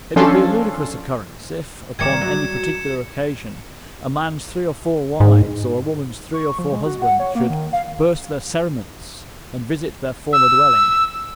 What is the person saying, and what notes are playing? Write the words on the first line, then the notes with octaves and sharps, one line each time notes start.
It would be a ludicrous occurrence, if, upon any particular occasion, a man's three or four wives, or a woman's three or four husbands, should "burst their cerements," and visit their former dwelling.
F3 C#4 D4 A4 C6
D#3 A#3 D5 G#6 C#7 E7
F#3
G#2
C#6
F3
G#3
F#4
F#5
C#5
A#3
D#3
F5
E6